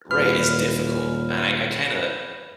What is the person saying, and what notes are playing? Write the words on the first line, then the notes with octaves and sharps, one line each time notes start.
Right, it's difficult, and I I kinda
D#1 B4 F6